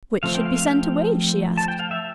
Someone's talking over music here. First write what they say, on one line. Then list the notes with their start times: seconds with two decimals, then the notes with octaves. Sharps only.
"Which should be sent away?" she asked.
0.23 F3 A3 C4 F5
0.35 G5
0.45 F5
0.56 F5
0.67 G5
1.58 A5
1.68 G5
1.79 F5
1.91 E5